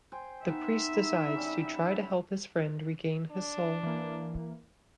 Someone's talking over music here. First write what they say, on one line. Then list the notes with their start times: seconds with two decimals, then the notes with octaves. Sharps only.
The priest decides to try to help his friend regain his soul.
0.12 C5 G5 G#5
0.46 B3 D#4 E5
0.93 E4
1.35 C#3 G3 C#4
3.31 D4
3.83 E3 A#3